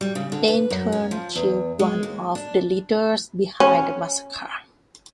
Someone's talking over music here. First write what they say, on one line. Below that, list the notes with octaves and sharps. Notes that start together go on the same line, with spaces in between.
They in turn killed one of the leaders behind the massacre.
G3
C#3
D3
B4
F#2
C#4
F3
E2
G#3
D#2
D4
C#4